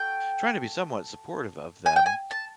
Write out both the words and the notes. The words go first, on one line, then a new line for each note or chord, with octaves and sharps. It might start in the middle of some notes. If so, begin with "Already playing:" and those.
trying to be somewhat supportive of them.
Already playing: F#4 A4 G5
G#5
G5
G#5
A5